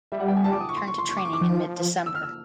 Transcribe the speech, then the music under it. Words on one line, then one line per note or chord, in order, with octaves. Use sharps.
Barron returned to training in mid-December.
G3 E5
F#5
G5
G#5
A5
D6
D#6
C#6
C6
C#6
C6
C#6
D6
C#6
D6
F3
E6
F6
E6